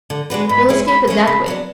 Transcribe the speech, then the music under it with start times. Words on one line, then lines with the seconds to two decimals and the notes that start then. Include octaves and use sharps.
We'll escape it that way.
0.10 D3
0.30 G#3 D4 F#4 B4
0.49 G#2 B5
0.69 G#3 C#4 E4 G#4
0.88 G#2 B5
1.07 G#3 C#4 E4 G#4
1.27 C#3 B5
1.46 F#3 B3 D4